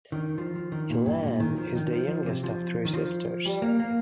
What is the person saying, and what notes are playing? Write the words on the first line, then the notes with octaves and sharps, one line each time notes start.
Elaine is the youngest of three sisters.
D#3
F3
F3
D#3
A#2
G2
A#2
D#3
F3
D#3
F3
F3
C3
F3
D#3
F3
G3
A#3
A#3